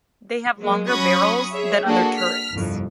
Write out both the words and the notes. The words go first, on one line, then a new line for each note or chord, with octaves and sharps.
They have longer barrels than other turrets.
F#3 G#3 A#3
F#3 C#4 F#4 B5 C#6 D#6
G#4 C#5 E5
A#3 D4 F#4 G#4 A4
F6 B6
G1 C2 F2